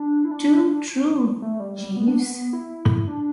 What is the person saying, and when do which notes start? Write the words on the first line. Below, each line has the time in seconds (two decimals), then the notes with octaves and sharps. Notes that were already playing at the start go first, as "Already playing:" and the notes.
Too true, Jeeves.
Already playing: D4
0.25 E4
0.31 D4
1.42 A3
1.60 G3
1.79 G3
1.97 B3
2.08 D4
2.20 B3
2.53 E4
3.08 D4